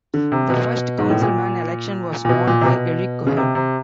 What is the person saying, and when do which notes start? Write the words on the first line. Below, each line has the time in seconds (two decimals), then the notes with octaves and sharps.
The first councilman election was won by Eric Cohen.
0.14 D3
0.32 C3
0.50 B2
0.99 G#2
1.10 A2
1.22 A#2
2.25 A#2
2.29 B2
2.47 A#2
2.61 C3
2.65 B2
3.27 C#3
3.37 C3
3.55 C3